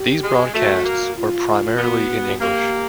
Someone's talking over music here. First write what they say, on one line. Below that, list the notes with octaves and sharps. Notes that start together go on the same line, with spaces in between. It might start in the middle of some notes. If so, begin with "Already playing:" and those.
These broadcasts were primarily in English.
Already playing: G4
G#3
A3 F#4
A#3
F4
B3 F#4
A#3 G4